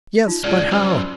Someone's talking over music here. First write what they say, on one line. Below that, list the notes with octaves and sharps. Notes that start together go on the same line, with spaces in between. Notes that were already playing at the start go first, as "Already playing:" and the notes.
"Yes, but how?"
D#4 F4
G#2 C#3 D5 F#5 A5
B1 F#2 C5 B5
B5 C6 E6